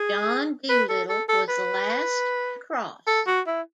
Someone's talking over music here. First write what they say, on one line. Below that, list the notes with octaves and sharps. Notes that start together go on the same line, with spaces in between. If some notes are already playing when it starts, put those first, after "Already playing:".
John Dolittle was the last to cross.
Already playing: G#4
B4
A4
A4
A4
B4
A4
F#4
E4